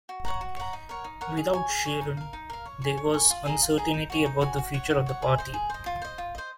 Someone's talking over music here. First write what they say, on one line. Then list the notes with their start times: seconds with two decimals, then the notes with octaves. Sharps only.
Without Sharon, there was uncertainty about the future of the party.
0.09 F#4
0.25 C#5 F#5 A#5
0.41 F#4
0.56 C#5 F#5 A#5
0.73 D#4
0.89 A#4 C#5 F#5
1.04 D#4
1.21 A#4 C#5 F#5
1.37 G#4
1.53 C#5 G#5
1.69 G#4
1.85 C#5 G#5
2.01 D#4
2.17 A#4 F5
2.33 D#4
2.50 A#4 F5
2.66 C#5
2.82 G#5 C#6
2.97 C#5
3.14 G#5 C#6
3.30 F4
3.46 G#4 D#5 A#5
3.62 F4
3.78 G#4 D#5 A#5
3.94 D#4
4.10 F#4 C#5 G#5
4.26 D#4
4.41 F#4 C#5 G#5
4.58 F#4
4.74 C#5 F#5
4.91 F#4
5.06 C#5 F#5
5.22 G#4
5.38 C5 D#5
5.54 G#4
5.70 C5 D#5
5.86 F4
6.02 C5 D#5
6.18 F4
6.35 C5 D#5